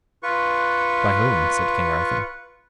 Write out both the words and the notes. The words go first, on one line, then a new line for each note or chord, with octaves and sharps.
By whom? said King Arthur.
F4 B4 C#6